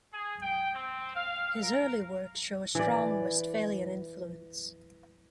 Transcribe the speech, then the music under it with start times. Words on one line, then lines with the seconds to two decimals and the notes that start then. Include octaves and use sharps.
His early works show a strong Westphalian influence.
0.13 G#4
0.43 G5
0.75 C4
1.15 F5
1.63 A#4
2.75 E3 D5